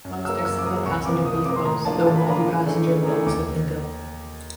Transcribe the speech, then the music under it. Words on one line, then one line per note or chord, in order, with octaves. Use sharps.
Most are single-passenger vehicles, though multi-passenger models have been built.
F#2
C#3 F#3 A#3 E6
F#2 E6
D6
C#3 F#3 A#3 D#6
C2 C#6
C3 F3 A#3 D6
C2 D#6
D#6
C3 F3 A#3 D6
C6
A2 A#5
F3 A#3 D4 F4 A5
A2 A5
B5
F3 A#3 D4 F4 A#5
C#3
E3 A3 D4
C#3
E3 A3 D4
D#2 D6